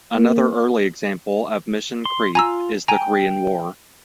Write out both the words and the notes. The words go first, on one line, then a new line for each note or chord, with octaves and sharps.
Another early example of mission creep is the Korean War.
A#3
C6
F4 G#5 A#5 E6
G5 G#5 A#5